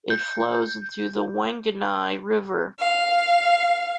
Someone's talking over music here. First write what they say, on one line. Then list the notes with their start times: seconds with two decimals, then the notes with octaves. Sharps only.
It flows into the Wanganui River.
0.10 G6
2.78 F5